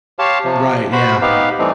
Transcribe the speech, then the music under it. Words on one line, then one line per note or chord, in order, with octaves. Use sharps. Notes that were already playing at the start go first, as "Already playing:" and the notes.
Right, yeah.
G4 C#5 F5 A5 C6
C3 F3
F#4 C5 B5
B3 D#4 G4 F5
E3 G3 A3 C4 D#4